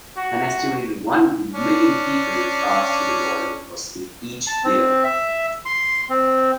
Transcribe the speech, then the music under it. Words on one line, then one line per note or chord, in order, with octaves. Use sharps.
An estimated one million people pass through the border crossing each year.
F#4
C#4 D4
A5
C4
E5
C6
C4